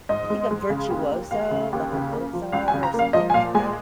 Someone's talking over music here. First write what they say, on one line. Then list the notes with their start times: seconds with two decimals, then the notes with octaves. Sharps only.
I think of Virtuoso, like a Mozart or something like that
0.09 G#2 D#5
0.30 G#3
0.51 G#3
0.70 C#3
0.90 D#2
1.11 A#3
1.31 D#2 F5
1.51 C#3
1.73 D#2
1.93 C#3
2.12 A#3
2.33 F3
2.52 C#2 F5
2.68 G#5
2.74 C#3
2.83 A#5
2.94 A#3
2.99 F5
3.13 F3 D#5
3.30 G#5
3.34 A#2 F5
3.55 G#3 G#5